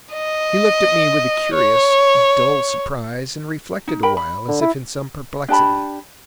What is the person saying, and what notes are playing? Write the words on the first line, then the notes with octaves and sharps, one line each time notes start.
He looked at me with a curious, dull surprise, and reflected awhile as if in some perplexity.
D#5
C#5
D#4
A#4 G5 B5
B5
D3
E4
D4 G4 A5 B5